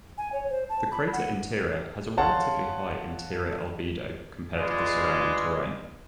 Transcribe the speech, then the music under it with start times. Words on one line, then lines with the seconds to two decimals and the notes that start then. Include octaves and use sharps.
The crater interior has a relatively high interior albedo compared to the surrounding terrain.
0.18 G#5
0.33 C#5
0.50 C5
0.69 A5
0.91 B5
1.13 F#5
2.17 C#5 F5 F#5 A5 C6
4.56 G#3 F4 B4 D5